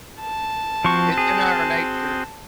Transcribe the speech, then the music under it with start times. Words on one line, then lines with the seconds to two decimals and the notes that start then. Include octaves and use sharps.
it's in our nature
0.20 A5
0.84 F3 C4 F#4 G5 C#6
1.18 G#4